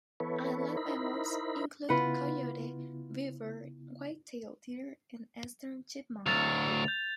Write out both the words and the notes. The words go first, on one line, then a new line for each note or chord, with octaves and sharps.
Island mammals include coyote, beaver, white-tailed deer, and eastern chipmunk.
E3 B3 A4 B4 C#5
D#4 E4 A#4 C5 B5
C#3 B3 E4 F4 B4 F#5
D2 F#3 A6 F7
G6